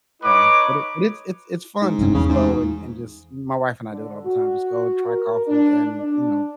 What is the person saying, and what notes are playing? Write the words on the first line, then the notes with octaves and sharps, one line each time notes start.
um, but it but it's it's it's fun to just go and and just my wife and I do it all the time, just go and try coffee and, you know,
D#4 B4 C#5 D#5 D6
G#2
F1 G2 C#4
E2 C#3
G#2
D3
F#4
A#4
D4
D4